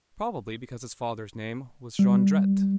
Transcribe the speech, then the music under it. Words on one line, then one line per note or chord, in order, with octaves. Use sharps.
Probably because his father's name was Jondrette.
G3